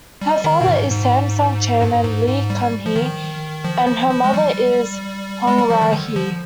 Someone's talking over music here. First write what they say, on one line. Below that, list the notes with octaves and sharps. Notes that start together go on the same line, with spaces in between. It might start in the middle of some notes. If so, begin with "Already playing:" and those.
Her father is Samsung chairman Lee Kun-hee, and her mother is Hong Ra-hee.
G3
D#3
B2
G#2
G#2
G2
G#2
G#2
G3
F3
D#3
F3
F3
F3
G#3
G3
G#3
G3
F3
D#3
D3
F3